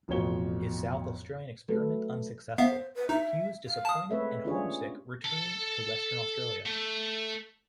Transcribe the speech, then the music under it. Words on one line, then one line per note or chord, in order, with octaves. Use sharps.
His South Australian experiment unsuccessful, Hughes-disappointed and homesick-returned to Western Australia.
A1 F2 B2 C#5 G7
F#3 A3 A4 B4
B3 C5 E5 F5
B4
D#4 E5
F5
A5 D#6
G#3 A3 C4 B4 C#5 E5
C#4 D4 F4 G4 G#4 C#5
A4 A5
A3